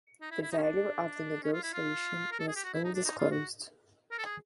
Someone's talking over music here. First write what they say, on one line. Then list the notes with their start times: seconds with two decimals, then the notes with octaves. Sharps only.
The value of the negotiation was undisclosed.
0.21 D#4
0.31 E4
0.42 E4
0.52 D#4
0.58 C#4
0.62 D4
1.43 C#4
1.53 F4
1.63 E4
1.73 F4
2.32 A#4
2.40 A4
2.48 G#4
2.56 G4
2.64 F#4
2.74 E4
2.84 D#4
2.94 D4
3.04 D#4
3.18 F4
3.31 F#4
4.11 A#4
4.19 A4
4.25 G#4